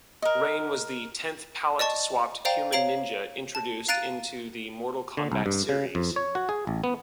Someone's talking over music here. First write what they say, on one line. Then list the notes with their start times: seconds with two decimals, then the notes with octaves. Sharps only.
Rain was the tenth palette-swapped human ninja introduced into the "Mortal Kombat" series.
0.22 A#4 D#5
1.79 D5 D#5 A5 C#6
2.45 C5 D5 F5 G5 A#5
2.72 C#5 F5 A#5 D7 F#7
3.55 A5
3.88 F5 A#5 F#6 A6 D7 D#7
5.17 D3
5.32 C2
5.46 G2
5.69 C#3
5.95 F2
6.16 C#5
6.35 F#4
6.49 G#4
6.67 A1
6.84 B3